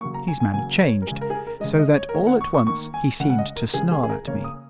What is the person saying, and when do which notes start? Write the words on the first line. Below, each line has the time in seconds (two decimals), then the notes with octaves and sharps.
His manner changed,--so that, all at once, he seemed to snarl at me.
0.01 C#3 F#3 A#3 C#6
0.14 A#5
0.28 G#5
0.40 G#5
0.54 C#3 F#3 A#3 G#5
0.81 C#5
1.02 A#4
1.07 C#3 G#3 G#4
1.21 A#4
1.30 G#4
1.35 A#4
1.47 A#4
1.60 G#3 D#5
1.64 C#3
1.79 D#5
1.96 C#5
2.09 A#4
2.13 D#3 A#3 C#5
2.27 F#5
2.41 C#6
2.54 C#6
2.67 D#3 A#3 C#6
2.94 G#5
3.20 C#3 G#3 F#5
3.30 F#5
3.38 D#5
3.56 A#4
3.74 C#3 G#3 G#4
3.91 G#4
4.03 G#4
4.09 A#4
4.27 C#3 A#3 C#5
4.44 D#6